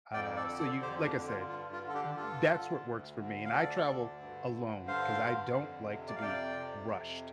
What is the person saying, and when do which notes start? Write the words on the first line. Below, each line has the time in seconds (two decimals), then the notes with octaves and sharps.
Uh, so you like I said, t t that's what works for me. And I travel alone 'cause I don't like to be rushed.
0.14 F2 D5 G5
0.36 A4 D5
0.48 D3
0.59 A4 D5
0.82 F2 G4 C5
1.04 D4 G4
1.15 D3
1.27 F4
1.49 G2 F4
1.72 F4
1.83 D3
1.89 A4
1.94 D4 G4
2.16 G2 F4 A4
2.50 D3
2.84 D2
3.18 D3
3.45 F5
3.52 D2 A4 D5
3.86 D3
4.20 G2
4.53 D3
4.87 G2 C5 F5
5.21 D3
5.54 F2
5.89 C3
6.08 D5
6.15 F5
6.22 F2 D5 G5
6.56 C3
6.91 F2